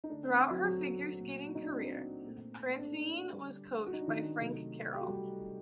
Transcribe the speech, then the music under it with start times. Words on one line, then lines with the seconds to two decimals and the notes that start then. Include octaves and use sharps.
Throughout her figure skating career, Fratianne was coached by Frank Carroll.
0.04 D#4
0.10 D3 A3 D4
0.23 C4
0.36 D4
0.50 F#3 F#4
0.64 F#3 F#4
1.17 A#2 A3
1.55 D#4
1.62 D4
1.71 C4
2.25 A#2 A3
2.79 D4
3.33 D3 G3
3.87 F#4
3.93 D#4
4.01 D4
4.08 D#3 D#4
4.40 C3 F#3 A3
4.93 G4
5.01 F#4
5.08 G3 G4